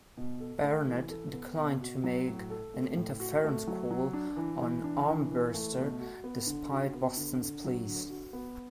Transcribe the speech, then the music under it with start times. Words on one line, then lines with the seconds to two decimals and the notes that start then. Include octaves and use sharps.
Barnett declined to make an interference call on Armbrister, despite Boston's pleas.
0.17 B2
0.40 A4
0.64 A3
0.88 E3
1.10 A4
1.33 B3
1.57 B2
1.81 F#4
2.04 F#3
2.28 A2
2.50 A4
2.74 A3
2.97 A2
3.20 F#4
3.44 A3
3.67 F#3
3.91 F#3
4.13 D4
4.37 E3
4.61 E3
4.84 D4
5.08 E3
5.31 E3
5.54 A3
5.78 B2
6.00 F#4
6.24 B3
6.46 D3
6.71 F#4
6.94 B3
7.17 D3
7.41 D3
7.64 F#3
7.87 D3
8.10 F#4
8.33 B3